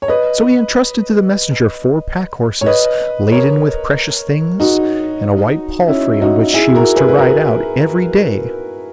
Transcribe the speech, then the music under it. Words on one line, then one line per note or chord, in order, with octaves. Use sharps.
So he entrusted to the messenger four pack-horses laden with precious things, and a white palfrey on which she was to ride out every day.
C#5
B4 D#5
C#5
B4 D#5
A#4 C#5
D#4 F#4
C#4 E4
D#4 F#4
E4 G#4
F#4 A#4
G#4 B4
B4
F#4 A#4